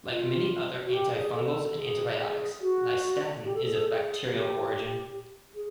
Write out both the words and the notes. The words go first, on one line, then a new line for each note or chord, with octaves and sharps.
Like many other antifungals and antibiotics, nystatin is of bacterial origin.
F4
F#4
G4
G#4
A4
G#4
G#4
F#4
G4
A4
G#4
A4
G#4
G4
G#4